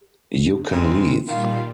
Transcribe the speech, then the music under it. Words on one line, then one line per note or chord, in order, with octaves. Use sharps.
You can leave.
C#3 G#3 C4
A#2 D#3 G3 F4 F5